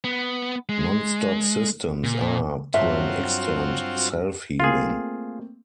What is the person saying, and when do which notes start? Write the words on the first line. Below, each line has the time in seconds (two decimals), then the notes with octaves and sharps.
NonStop systems are, to an extent, self-healing.
0.04 B3
0.69 G#3
2.04 A#2
2.74 G2 F#3 C4 F4 F#4 E5
4.60 A3 A#3 C4 F4 G#4